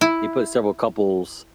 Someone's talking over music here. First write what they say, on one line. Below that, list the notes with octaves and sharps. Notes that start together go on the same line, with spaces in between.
they put several couples
E4